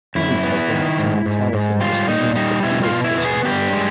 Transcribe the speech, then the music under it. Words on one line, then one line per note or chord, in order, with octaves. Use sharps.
Minnie's husband, John Callison, was convinced that Fields was her murderer.
F#2 E4
B3
D#3
G#2
G#2
G#2
G3 F4
A#2 D#4
G3 D#4
B2 E4
F4
B2
E4
B3
G#4
G2 G4
G#3